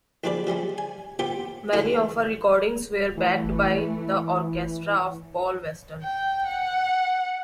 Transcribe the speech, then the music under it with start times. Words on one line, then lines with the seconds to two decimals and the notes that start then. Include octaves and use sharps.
Many of her recordings were backed by the orchestra of Paul Weston.
0.24 D#2 B2 F3 G#3 B4 D5
0.47 F3 G3 G#3 C#4
0.78 G#5
1.19 B3 C4 F4 G4 G5
1.73 A2 D3 E3 G#3 D4 F#4
3.17 E3 A3
6.03 G5
6.48 F#5